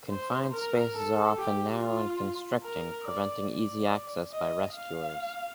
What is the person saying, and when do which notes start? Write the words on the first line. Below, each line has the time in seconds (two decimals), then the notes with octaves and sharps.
Confined spaces are often narrow and constricting preventing easy access by rescuers.
0.11 C5
0.52 A#4
0.95 A4
1.37 G4
1.79 F4
2.64 A#4
3.06 D5
3.48 D5
4.33 D#5
4.75 F5